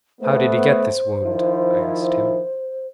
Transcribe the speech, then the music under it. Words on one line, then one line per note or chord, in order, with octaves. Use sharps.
"How did he get this wound?" I asked him.
A3 B3 C5
D#3 F3 E4